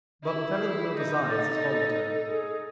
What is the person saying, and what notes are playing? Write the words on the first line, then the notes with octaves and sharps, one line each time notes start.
But whatever the will desires is voluntary.
E4
G#4
D#4 G6
A4 A6
G#4